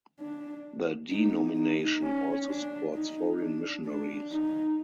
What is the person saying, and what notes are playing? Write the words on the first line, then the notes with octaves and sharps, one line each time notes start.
The denomination also supports foreign missionaries.
D4
D#4
D#4
C#4
D4
D#4
D4
D4
D#4